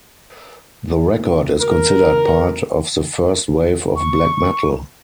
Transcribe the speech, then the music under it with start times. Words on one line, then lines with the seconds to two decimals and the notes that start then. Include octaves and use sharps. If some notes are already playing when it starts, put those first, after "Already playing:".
The record is considered part of the first wave of black metal.
1.61 A#4
3.96 C#6